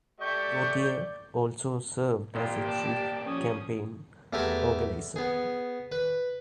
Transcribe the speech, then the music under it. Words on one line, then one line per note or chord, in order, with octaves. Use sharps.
Gauthier also served as the chief campaign organizer.
A3 G4 D5 E5 C#6 G6
G#1 A#2 A#3 F4 G4 G5
D5 A5
F3 C#4 D#6
E2 A3 G4 E5 G#5 A#5
B3 G#4
B4